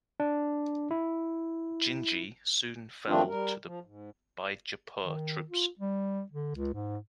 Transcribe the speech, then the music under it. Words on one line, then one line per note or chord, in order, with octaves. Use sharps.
Gingee soon fell to the Bijapur troops.
D4
E4
D#3 F3 A3 C4 D4 F4
G3 A#4
F3
G#2
D#3
F4
G3
D3
C#2
G#2